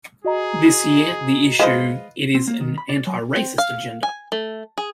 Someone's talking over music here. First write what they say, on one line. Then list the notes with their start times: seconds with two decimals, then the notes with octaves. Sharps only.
This year, the issue it is an anti-racist agenda.
0.24 F#4 G#4 D#5 A#5
1.59 G#3 F4 B4 C5 D#5
2.35 C4
2.47 A#3
2.61 D#3
2.78 B5
2.89 D5
3.07 F#3
3.36 C4
3.58 F5
4.03 G#5
4.32 A3
4.78 G#4